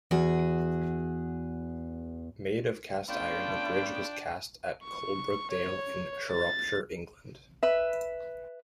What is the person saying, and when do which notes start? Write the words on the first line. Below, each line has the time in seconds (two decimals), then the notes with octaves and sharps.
Made of cast iron, the bridge was cast at Coalbrookdale in Shropshire, England.
0.11 E2 F#4 G#4
3.09 A3 B3 C#4 D4 F4 G5
4.84 C#6
5.52 C#5
6.31 A6
7.63 B4 E5